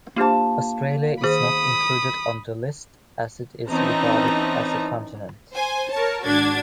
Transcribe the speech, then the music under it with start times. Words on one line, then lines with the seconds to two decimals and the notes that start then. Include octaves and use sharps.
Australia is not included on the list as it is regarded as a continent.
0.16 A#3 D4 F4 G4 C5 A5
1.23 D#3 G#4 C5 B5 D#6
3.69 E3 C4 C#4 D#4 A5 A#5
5.54 C5 G#5
5.92 A#4 C#5 A5
6.25 G#1 D4 F#4 G#6 A6